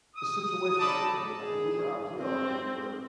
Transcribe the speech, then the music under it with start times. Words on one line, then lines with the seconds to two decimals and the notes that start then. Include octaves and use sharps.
the situation? I think it was I think we were out here already, but,
0.15 D#6
0.79 D#4 A4 D5 A5 B5 D6
1.41 G#4
2.20 C4